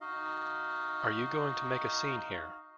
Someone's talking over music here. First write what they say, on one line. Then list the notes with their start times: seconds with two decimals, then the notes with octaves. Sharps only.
Are you going to make a scene here?
0.01 D#4 F#4 D#5 F5